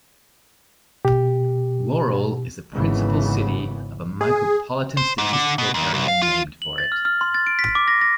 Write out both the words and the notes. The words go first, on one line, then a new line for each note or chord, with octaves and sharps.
Laurel is the principal city of a Micropolitan Statistical Area named for it.
B2 G4
G#1 C#3 E3 B3
G#4
C5
G#2
D3
B2
D#2
C2
F5
F4
F#7
A6
F6
F6
C6
A6
D7
B6
D6
A#6
A#6